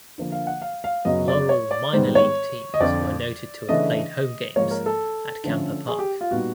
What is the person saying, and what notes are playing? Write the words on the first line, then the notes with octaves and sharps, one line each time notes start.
Laurel minor league teams were noted to have played home games at Kamper Park.
D3 F3 A#3
F5
F#5
F5
F5
F#2 C#3 F#3 B3 D#5
D5
C#5
D5
G#2 D#3 G3 B3 C5
C#5
D#5
F2 D3 F3 D5
C#3 E3 A3 D4 D#5
G#2 F3 A#3 C#5
A#4
A4
D3 F3 A3 C#4
G#4
G4
F4
A#2 G3 B3 D#4 F#4